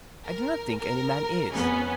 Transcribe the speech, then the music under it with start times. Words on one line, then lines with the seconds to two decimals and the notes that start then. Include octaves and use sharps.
I do not think any man is.
0.24 A#4
0.79 A#4
1.52 F2 B3 C#4